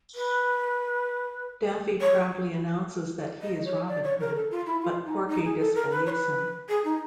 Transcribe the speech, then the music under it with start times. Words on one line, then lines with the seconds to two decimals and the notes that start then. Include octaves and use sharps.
Daffy proudly announces that he is Robin Hood, but Porky disbelieves him.
0.15 B4
2.01 C#5
3.42 D#5
3.65 C#5
3.88 D5
4.04 C#5
4.20 A#4
4.35 A4
4.51 F4
4.66 E4
4.82 F4
5.06 D#4
5.29 D#4
5.44 G#4
5.59 A4
5.75 A#4
5.91 B4
6.06 C#5
6.10 B4
6.69 G#4
6.85 D#4